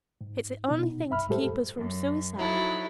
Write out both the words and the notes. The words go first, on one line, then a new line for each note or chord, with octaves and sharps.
It's the only thing to keep us from suicide.
G#2
B2 D#4
C2 G2 E5 B5 F6
A2 G3 G#3 G4 A4 C5
F#2
F3 F#3 D#4 E4 A4